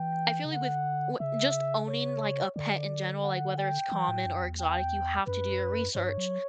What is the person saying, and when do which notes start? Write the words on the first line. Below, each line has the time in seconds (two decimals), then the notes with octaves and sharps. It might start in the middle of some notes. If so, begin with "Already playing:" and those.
I feel like with w just owning like, a pet in general, like, whether it's common or exotic, you have to do your research.
Already playing: E3 G5
0.45 C#3
0.52 D3 F#5
1.20 C#3 E5
1.88 C#5
2.56 D3 D5
3.23 F#5
3.58 G5
3.92 E3
4.09 A2
4.26 F#2
4.42 E2
4.60 G5
5.27 F#2 B4
5.95 G2 C#5
6.18 F#3